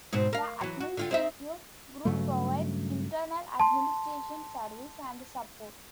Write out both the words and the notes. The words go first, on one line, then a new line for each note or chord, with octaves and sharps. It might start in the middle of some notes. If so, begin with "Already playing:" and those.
The Administrative Group provides internal administration service and support.
G#2 B2 C4
A#4 F5
E3 F#3
F#4
D3 F4 G4
C4 D#4 E5
G2 C#3 F#3 A3
A5 C6